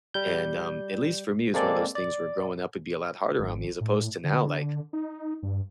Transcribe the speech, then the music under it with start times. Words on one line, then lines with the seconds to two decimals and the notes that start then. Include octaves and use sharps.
And, um, at least for me it was one of those things where growing up would be a lot harder on me as opposed to now, like,
0.14 G3 G6
1.54 G#3 A#3 C4 A4 D5
1.95 D5
3.39 G#1
3.81 A2
4.24 D3
4.93 D#4
5.43 G2